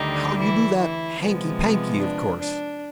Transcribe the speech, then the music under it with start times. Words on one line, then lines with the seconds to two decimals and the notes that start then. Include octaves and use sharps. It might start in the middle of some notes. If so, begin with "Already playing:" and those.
"How you do that hanky-panky, of course."
Already playing: D2 D3 D#3 G3 D#4
0.39 E3 E4
0.79 E3 E4
1.19 C3 F3 G#3 B3
1.99 D4
2.39 D4